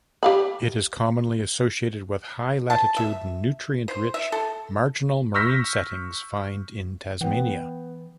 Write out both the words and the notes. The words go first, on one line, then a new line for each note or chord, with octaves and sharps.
It is commonly associated with high-latitude, nutrient-rich, marginal marine settings find in Tasmania.
G4 F5 B5
A5
E5
C5
E5
A4
C#6 E6 F6 G6 A#6 B6
E3 B3 F#5 G5